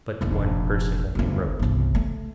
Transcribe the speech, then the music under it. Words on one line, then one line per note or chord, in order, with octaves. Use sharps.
"But one person only wrote!"
F1 A#1
G1 D2
G1 C2
A3